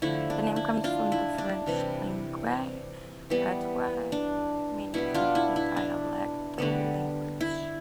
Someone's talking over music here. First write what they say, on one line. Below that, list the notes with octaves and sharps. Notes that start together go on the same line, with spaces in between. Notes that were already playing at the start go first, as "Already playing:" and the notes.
The name comes from the French "Langue Patois", meaning simply dialectal language.
D3 F3 A3 E4
D4
E4
D4 F4
E4
D4
C3 E3 G3
E3 G3 B3
D4
B2 G3 B3 E4
D4 F4
E4
E4
D4
D3 G3 B3
E4